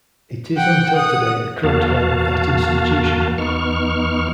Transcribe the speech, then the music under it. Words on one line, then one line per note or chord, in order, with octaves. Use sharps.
It is until today the current home of that institution.
F#5 G5
F#5 D#6
E2 A#3 F#4 F5 A5
E2 B3 D#4 C#6 F6